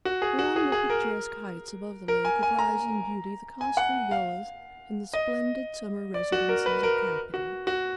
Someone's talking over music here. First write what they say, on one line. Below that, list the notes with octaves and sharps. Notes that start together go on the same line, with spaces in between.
Along the picturesque heights above the lake would rise in beauty the costly villas and the splendid summer residences of capital.
F#4
G#4
F#4
G#4
G#4
A#4
A#4
G#5
G#5
A#5
G#5
F#5
F5
D#5
D5
F#4
A#4
B4
A#4
F#4
F#4